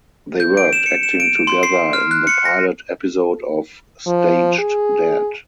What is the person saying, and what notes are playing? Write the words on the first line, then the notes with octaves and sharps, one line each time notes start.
They worked acting together in the pilot episode of "Staged Dad".
G6
D7
E7
C#7
E7
D7
C6
C7
F6
F#6
C#7
A#6
F3
G#4